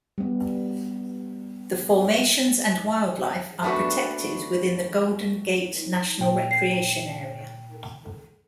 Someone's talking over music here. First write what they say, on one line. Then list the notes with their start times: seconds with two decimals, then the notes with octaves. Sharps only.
The formations and wildlife are protected within the Golden Gate National Recreation Area.
0.18 G3 B3
3.63 A3 B3 D4 F#4 B4
6.20 A#2 G5
6.51 C7